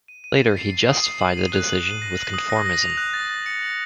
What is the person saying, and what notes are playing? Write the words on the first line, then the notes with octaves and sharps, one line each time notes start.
Later he justified the decision with conformism.
D#7
D#7
A6
C7
C7
D#6
C7
F#7
D#7
F#6
F#7
D#7
A#6
F#7
D#6
A#6
A#6
F7
F#6
A6
A6
C#7
F#7